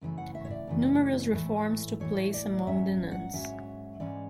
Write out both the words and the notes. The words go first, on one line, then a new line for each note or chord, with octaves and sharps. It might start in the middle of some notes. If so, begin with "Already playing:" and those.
Numerous reforms took place among the nuns.
F#2 C#3 E3 A3
F#5
E5
C#5
D5
F#2 C#3 E3 A3
A2 E3 A3
A2 E3 A3 C#5
D5
G#2 F#3 C#4 E5
F#5
G#2 F#3 C#4 E5
G#2 E3 G#3 C#4 D5